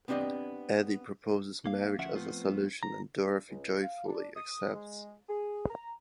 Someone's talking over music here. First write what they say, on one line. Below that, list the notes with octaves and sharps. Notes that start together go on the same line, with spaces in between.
Eddie proposes marriage as a solution and Dorothy joyfully accepts.
B3 C4 D4 G4 D#5
A#3 F5
D2 F3 C#4 E5 F#5
F3 A3 B3 C4 F4
A#5
C#2
F5
D4
D#6
G#3
G#4
A#5